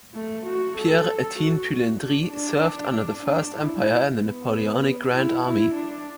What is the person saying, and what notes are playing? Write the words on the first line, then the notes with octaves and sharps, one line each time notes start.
Pierre-Étienne Poux-Landry served under the First Empire in the Napoleonic Grand Army.
A3
F#4
A4
F#4
D4
D4
D4
E4
B3
E4
E4
D4